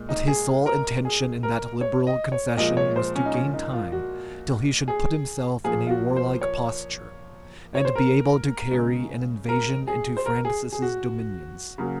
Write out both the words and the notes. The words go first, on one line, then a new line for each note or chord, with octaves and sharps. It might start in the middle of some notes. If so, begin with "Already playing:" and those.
But his sole intention in that liberal concession was to gain time till he should put himself in a warlike posture, and be able to carry an invasion into Francis's dominions.
Already playing: A#2 G#3
D#4
G#4
A#4
G#4
A#4
C#5
D#5
C#5
A#2 F3 G#3 D#5
C#5
C5
C#4
D#4
C#4
D#4
F4
F#4
G#4
A#2 F3 A#3 G#4
F4
F#4
C5
C#5
C#5
C5
A#4
C#3 G#3
A#4
G#4
C5
A#4
G#4
G#4
F#4
C#3 F#3 A#3